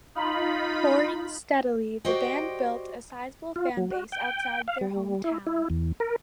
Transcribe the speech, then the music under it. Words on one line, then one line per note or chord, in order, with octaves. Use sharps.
Touring steadily, the band built a sizable fan base outside their hometown.
D#4 F4 B5
F#4 G4 C5 D5 D#5 G5
F4
F#3
F#4
G5
F5
G3
E4
E4
E2
A#4